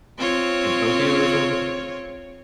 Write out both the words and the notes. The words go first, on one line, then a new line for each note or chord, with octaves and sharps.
in Tokyo or something?
C4 F4 C#5